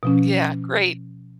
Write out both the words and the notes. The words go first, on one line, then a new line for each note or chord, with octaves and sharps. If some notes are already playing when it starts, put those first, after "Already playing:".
Yeah, great.
B2 F3 C#4